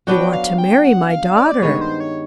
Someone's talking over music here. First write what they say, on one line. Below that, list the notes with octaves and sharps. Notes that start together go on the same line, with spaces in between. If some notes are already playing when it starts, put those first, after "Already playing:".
"You want to marry my daughter!"
F#3 B3 D4 F#4 G5
F5
G5
F#5
F5
D5
G2 D#3 G#3 B3 C#5
C5
C#5